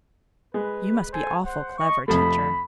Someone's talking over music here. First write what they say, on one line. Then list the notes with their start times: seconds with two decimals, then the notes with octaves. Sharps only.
You must be awful clever, teacher.'
0.54 G#3 B4
1.13 A4 C5 G#5
1.44 C5 F#5
1.77 D#5 C#6
2.08 F2 C3 A3 B5